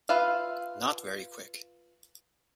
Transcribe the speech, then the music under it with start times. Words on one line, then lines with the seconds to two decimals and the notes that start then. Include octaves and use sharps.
Not very quick.
0.09 F4 B4 E5 F5